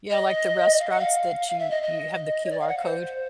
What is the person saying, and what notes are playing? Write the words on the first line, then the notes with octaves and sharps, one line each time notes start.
Yeah, like the restaurants that you you have the QR code,
D#5
F5
F#5
F5
F5
E5
D#5
D#5
C#5
D5
F5
F#5
F5
C5